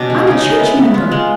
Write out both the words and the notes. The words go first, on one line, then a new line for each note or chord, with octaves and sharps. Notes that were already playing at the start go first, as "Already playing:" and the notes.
I'm a church member.
Already playing: B2 C#4 D4
G#3
C#4 D#4
G#3
B3 E4
G#3
B3 F4
G#3